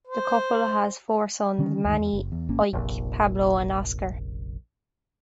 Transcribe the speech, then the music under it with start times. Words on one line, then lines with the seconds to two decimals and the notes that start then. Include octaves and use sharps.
The couple has four sons, Manny, Ike, Pablo, and Oscar.
0.07 C5
1.58 D3 D#3 C#4
1.85 D2 G2 D#3
1.99 E2
2.13 F#1
2.32 E2
2.49 G#1 A#3 C#4
2.73 F1 A#1